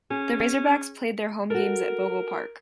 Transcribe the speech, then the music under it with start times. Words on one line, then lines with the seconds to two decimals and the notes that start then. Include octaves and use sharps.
The Razorbacks played their home games at Bogle Park.
0.10 C#4 G#4
1.50 F#4 A4 A#4